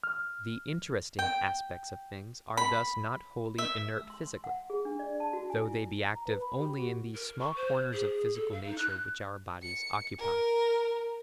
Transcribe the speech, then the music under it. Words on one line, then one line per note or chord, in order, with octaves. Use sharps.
The 'interesting' aspects of things are thus not wholly inert physically, though they be active only in these small corners of physical nature which our bodies occupy.
F6
G5
B5
E5
E6
C6
C6
F#5
G#4
D4
D5
A5
F#4
G#5
E4
A#5
B4
B5
G4
F#4
A#4
C#6
C5
G#4
A4
F5
D#4
F#6
C#7
A#4